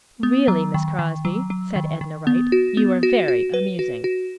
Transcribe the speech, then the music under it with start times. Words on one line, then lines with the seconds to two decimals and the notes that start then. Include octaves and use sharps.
"Really, Miss Crosby," said Edna Wright, "you are very amusing."
0.23 B3
0.48 F#3
0.74 D#3
0.99 D#3
1.25 F#3
1.50 F#3
1.76 D#3
2.01 D#3
2.27 B3
2.52 F#4
2.77 B3
3.03 F#4
3.28 F#4
3.54 B4
3.79 F#4
4.04 F#4